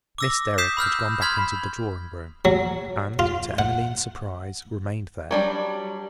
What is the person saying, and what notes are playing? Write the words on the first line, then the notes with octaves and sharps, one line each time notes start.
Miss Derrick had gone back into the drawing-room, and, to Emmeline's surprise, remained there.
D6 E6 A#6
D#6 G6 B6 C7 E7
B5 E6 F6 G6
B5 C6 F6 G#6 B6
F#3
F4
F#5
F#3 G3 D4